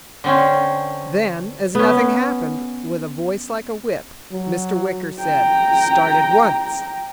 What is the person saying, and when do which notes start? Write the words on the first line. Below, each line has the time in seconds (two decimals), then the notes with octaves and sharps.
Then as nothing happened, with a voice like a whip Mr. Wicker said: "Start at once!"
0.24 D3 C4 C#4
1.75 B3 C#4
4.32 F#3
5.20 G5 A#5